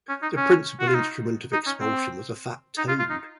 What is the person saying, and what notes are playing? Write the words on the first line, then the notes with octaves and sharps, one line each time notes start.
The principal instrument of expulsion was a fat toad.
C#4
D#4
C#4
F#4
F4
D#4
D#4
C#4
C4
D#4
F4
F4
D#4